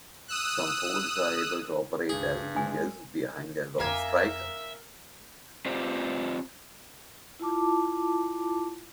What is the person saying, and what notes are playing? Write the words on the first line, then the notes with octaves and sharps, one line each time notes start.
Some forwards are able to operate as wingers behind a lone striker.
D#6 E6 F#6
C#2 G2 G#4
G#3 G#5
F2 F4 A#4 E5 F5 G#5 D6
C4 F4 G4 C5 D5
E4 F4 A5 D6